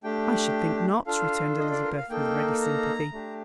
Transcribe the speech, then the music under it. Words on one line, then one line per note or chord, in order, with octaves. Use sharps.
"I should think not!" returned Elizabeth, with ready sympathy.
A3 D4 G4 G5
D4 F4 A4 F5
D#5
D5
A#4
F5
A#3 D#4 A4 G5
A#5
A3 D4 G4